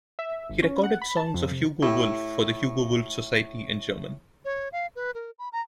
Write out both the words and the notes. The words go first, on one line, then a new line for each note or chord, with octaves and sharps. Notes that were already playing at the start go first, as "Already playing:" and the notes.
He recorded songs of Hugo Wolf for the Hugo Wolf Society in German.
E5
G1
C#4
F#5
B5
A5
F2
C3
A2 E4 G4 E6
C#5
F5
B4
A#4
B5
A#5